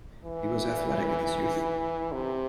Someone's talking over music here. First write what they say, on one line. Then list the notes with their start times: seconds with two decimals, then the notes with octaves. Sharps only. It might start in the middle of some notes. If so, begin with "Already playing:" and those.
He was athletic in his youth.
0.25 E3
2.12 C3